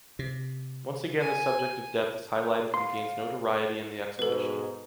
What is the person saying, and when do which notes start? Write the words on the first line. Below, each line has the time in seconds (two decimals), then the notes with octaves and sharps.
Once again the subject of death is highlighted and gains notoriety in the exhibition.
0.19 C3
1.20 G#5
2.74 F5 C6
4.19 G#2 B2 A4 B4